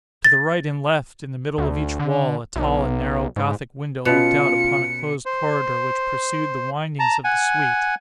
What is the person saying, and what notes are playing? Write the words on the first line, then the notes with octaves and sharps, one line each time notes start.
To the right and left, in the middle of each wall, a tall and narrow Gothic window looked out upon a closed corridor which pursued the windings of the suite.
A6
D2
D3
B1
G#2
B2 C#4 F4 B4 C#7
C5
A5 A#5
F#5 G#5